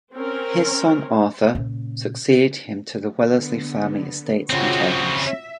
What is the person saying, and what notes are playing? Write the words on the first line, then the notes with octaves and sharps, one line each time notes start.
His son, Arthur, succeeded him to the Wellesley family estates and titles.
C4 C#4 A#4
A#2 C#3
D3 B3
C#3 C4 F4 F#4 C#5
E5